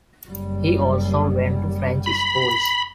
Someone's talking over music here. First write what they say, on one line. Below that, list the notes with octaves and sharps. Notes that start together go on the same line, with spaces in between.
He also went to French schools.
F#1 G3
B5